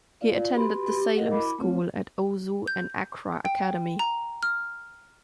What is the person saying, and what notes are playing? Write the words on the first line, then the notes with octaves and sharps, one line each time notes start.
He attended "The Salem School" at Osu and Accra Academy.
F4 D5 F5
F#4 G4 B4 B5 C6
G4
A#4 D#5 F5 F#5
E4 F#4 B5 D6
A3 C4 F4 C#5
G6
G5
A#5
F6